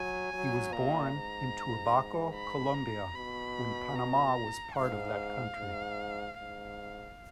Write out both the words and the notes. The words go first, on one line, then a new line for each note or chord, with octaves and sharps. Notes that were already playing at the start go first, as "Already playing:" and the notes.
He was born in Turbaco, Colombia, when Panama was part of that country.
Already playing: F#3 G#5
F#3
A#2 A#5
G#2
B5
A#5
B2 B5
A#5
G#2 F5
G#2
G#2 F5